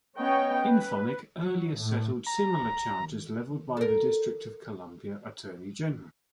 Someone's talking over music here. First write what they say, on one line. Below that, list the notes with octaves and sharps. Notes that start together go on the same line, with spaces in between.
InPhonic earlier settled similar charges leveled by the District of Columbia attorney general.
B3 C#4 C#5 D#5 G5
B4
F#3
A2
A#5
A4 A#4